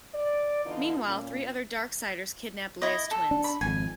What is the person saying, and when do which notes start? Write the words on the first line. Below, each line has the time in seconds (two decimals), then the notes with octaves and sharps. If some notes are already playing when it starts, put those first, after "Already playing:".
Meanwhile, three other Darksiders kidnap Leia's twins.
0.15 D5
0.66 D3 E3 B3 D#4 F4
1.05 A#2 C#4
2.82 E4 D#5
3.11 A4
3.31 D4
3.44 B5
3.61 G#1 F2 G#5